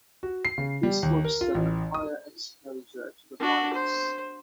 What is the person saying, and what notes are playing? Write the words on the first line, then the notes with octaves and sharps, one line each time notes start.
This puts them at higher exposure to the virus.
F#4
C7
C#3
G3
D#2
A#4
F4
A1
D#6
D4 F#4
C5